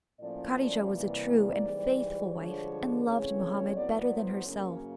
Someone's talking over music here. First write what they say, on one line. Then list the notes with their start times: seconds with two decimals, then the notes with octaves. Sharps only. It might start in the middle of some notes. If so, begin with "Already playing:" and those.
Kadijah was a true and faithful wife and loved Mohammed better than herself.
0.20 A2 F3 A#3 C#4 D5
0.91 C3 E3 G3 A#3
1.62 G#2 E3 G3
2.33 G2 D3 F3 G#3 C#5
3.04 C#3 E3 A3 C4 C#5
3.74 A2 F#3 B3 D5
4.10 C5
4.45 F#2 C#3 F#3 A#3 C#4 A#4